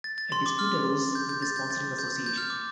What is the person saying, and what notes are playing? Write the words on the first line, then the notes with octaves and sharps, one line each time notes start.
A dispute arose with the sponsoring association.
A6
A6
C6
D6
F6
G6
G6
A6
G6
A6
G6
A6
G6
F6
D6